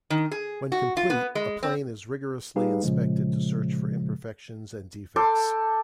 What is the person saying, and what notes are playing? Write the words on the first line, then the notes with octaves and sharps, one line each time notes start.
When complete, a plane is rigorously inspected to search for imperfections and defects.
D#3
G#4
F#4
F4
B3
G#3
C4
G3 D#4 G4 G#4 B4 F5
A#2 C#3 F3 G#3
A4 G5 C6 D6